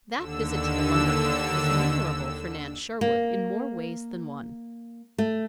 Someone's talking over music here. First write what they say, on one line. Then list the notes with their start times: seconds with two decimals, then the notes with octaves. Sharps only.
That visit to the lumber camp was memorable for Nan Sherwood in more ways than one.
0.13 D#2 D3 E6
3.01 A#3
5.18 A3